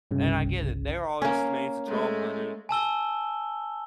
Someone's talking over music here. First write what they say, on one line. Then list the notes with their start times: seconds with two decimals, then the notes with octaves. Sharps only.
And I get it, they're all just made to draw money,
0.11 G1 C2 C#3
1.22 A#3 C#4
1.87 G#3 A3
2.69 G#5 A5 E6 G7